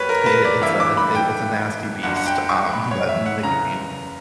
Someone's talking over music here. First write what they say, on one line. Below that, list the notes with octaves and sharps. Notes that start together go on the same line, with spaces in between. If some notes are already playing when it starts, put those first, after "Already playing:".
uh, it it's a uh, th it it's a nasty beast, um, that nicotine.
Already playing: F#2 G3 A#3 B4 C#5
A#4
A#4
B4
D5
G2 E3 A#3 E4 E5
D6
B5
G5
G1 F#2 D3 F#5
F#5
G5
C#6
B5
C#5
E5
F#5
F#1 E2 C#3 A#5